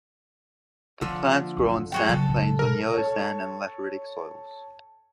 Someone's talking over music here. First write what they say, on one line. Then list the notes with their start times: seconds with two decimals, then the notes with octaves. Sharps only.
The plants grow on sandplains on yellow sand and lateritic soils.
1.01 D3 F3 A#3
1.57 F#1 F#3
1.92 G#3 F#4 G5
2.09 C#3 F#3 B3 A4
2.29 F#2 A2
2.59 B2 A#4
2.93 A4 C#5